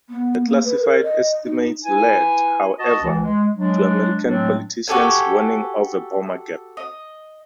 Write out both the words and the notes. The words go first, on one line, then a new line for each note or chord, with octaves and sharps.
The classified estimates led, however, to American politicians warning of a "bomber gap".
B3
A#3
B4
A#4
D#5
D#4
E4 B4 G#5
F#4 D#5 A5
C#2 E3
G#3
F#3 G#3 D4
A2 F#3 G#3 A3 C4 D4
F#4 G4 A4 G#5
D#5